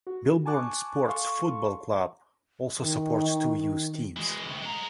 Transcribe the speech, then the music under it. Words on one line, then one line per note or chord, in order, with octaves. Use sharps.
Milborne Sports Football Club also supports two youth teams.
F#4
G#5 A5 C#6 D6 F#6
A4 F5 A5 C6 C#6
D#3
E3 G#3
D2 C3
G#3 A#5